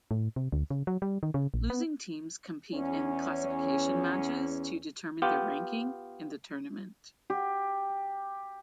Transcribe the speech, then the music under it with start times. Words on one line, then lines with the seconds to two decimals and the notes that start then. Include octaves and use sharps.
Losing teams compete in classification matches to determine their ranking in the tournament.
0.11 A2
0.36 C3
0.52 D2
0.70 C#3
0.87 F#3
1.02 G3
1.23 D#3
1.34 C#3
1.54 A#1
1.70 B3
2.73 E2 C#4
5.22 B3 F4 G4
7.30 G4